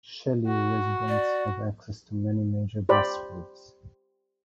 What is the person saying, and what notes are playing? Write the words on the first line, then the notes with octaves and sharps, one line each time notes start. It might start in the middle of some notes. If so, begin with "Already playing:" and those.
Shelley residents have access to many major bus routes.
F#4
D5
G4 C5 D5 B5